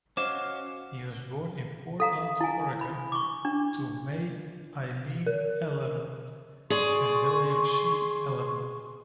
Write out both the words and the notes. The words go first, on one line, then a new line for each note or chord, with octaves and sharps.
He was born in Portland, Oregon to May Eileen Ellern and William C. Ellern.
C#4 F#4 C5 D#5 F5 D6 E7
A4 F5 A#5
E4 G#5
B5
C#6 D6
D4
A#4
G#4 D5 C6 C#6